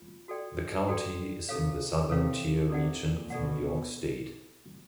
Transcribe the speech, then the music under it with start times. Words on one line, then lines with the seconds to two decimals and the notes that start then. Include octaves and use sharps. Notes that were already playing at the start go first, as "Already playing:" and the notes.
The county is in the Southern Tier region of New York State.
Already playing: F4
0.28 F#4 A4 D5 G5
0.88 F#4 A4 D5 G5
1.49 C3 A4 C#5 F5
2.09 C3 A4 C#5 F5
2.69 C3 A4 D5 F#5
3.00 A#2
3.30 B2 A4 D5 F#5